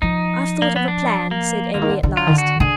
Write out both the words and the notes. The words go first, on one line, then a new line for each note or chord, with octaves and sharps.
"I've thought of a plan," said Emmy at last.
F3 D#4
A#3
B3
D4
A#3
D3 A#3
D#3
D3
D3
F4
D#3
D3
F#4
D3 G#4